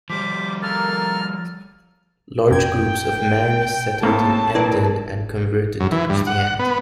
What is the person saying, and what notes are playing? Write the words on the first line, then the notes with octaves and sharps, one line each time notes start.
Large groups of Marranos settled in Emden and converted to Christianity.
F3 G3 C5 D6 B6
A#3 A4 A#4 F6 A6
F#2 G5 G#6
A2 A#3 C4 A4 A5
E4 A#4 B4 D5
F#2
E3
G2
F#5
B3